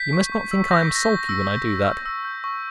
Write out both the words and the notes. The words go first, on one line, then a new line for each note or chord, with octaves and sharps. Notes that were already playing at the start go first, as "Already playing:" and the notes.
You must not think I am sulky when I do that.
Already playing: G6 B6
C#6
C#6
E6
G6 A#6
B6
C#6
A#6
C#6
E6
G6
C#6
C#6
E6
G6
C#6